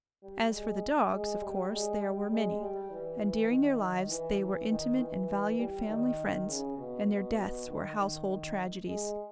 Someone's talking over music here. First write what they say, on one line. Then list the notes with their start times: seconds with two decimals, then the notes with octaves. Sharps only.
As for the dogs, of course there were many, and during their lives they were intimate and valued family friends, and their deaths were household tragedies.
0.23 G3
0.52 G#3
1.12 G#3
1.41 G3
1.72 G#3
2.02 G3
2.31 G#3
2.61 G3
2.90 E3
3.21 E3
3.50 D#3
3.80 D#3
4.09 E3
4.39 E3
4.70 D#3
4.99 E3
5.59 G3
5.88 D#3
6.48 C#3
6.78 B2
7.08 B2
7.38 B2
7.68 D#3
7.98 D#3
8.27 D#3
8.87 G#3